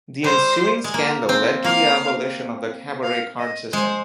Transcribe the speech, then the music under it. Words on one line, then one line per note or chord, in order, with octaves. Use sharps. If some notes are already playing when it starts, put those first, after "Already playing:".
The ensuing scandal led to the abolition of the cabaret card system.
G3 C5
G#3
A#3
C4
A#3 F5
F5
D#5
G#3 C5